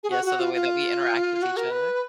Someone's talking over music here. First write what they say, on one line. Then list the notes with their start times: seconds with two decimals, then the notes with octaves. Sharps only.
Yeah, so the way that we interact with each other.
0.03 G#4
0.10 F#4
0.25 F#4
0.40 F4
0.54 F4
1.42 F#4
1.57 A#4
1.71 B4